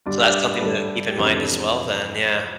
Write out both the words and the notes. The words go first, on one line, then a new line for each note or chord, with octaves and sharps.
So that's something to keep in mind as well then, yeah.
G2 D3 G3 D4 D5
E5
D5
B4
B4
G2 D3 G3 D4 A4
G4
F2 C3 E3 B3 D4 A4